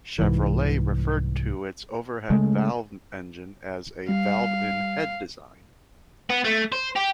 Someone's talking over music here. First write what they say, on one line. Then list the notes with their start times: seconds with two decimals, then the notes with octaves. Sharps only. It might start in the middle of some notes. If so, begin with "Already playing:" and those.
Chevrolet referred to its overhead-valve engine as a "valve-in-head" design.
0.19 C2 G#2 E3
2.30 C#3 G#3 A3
4.09 G3 F5
6.30 B3
6.44 A3
6.72 C5
6.96 G4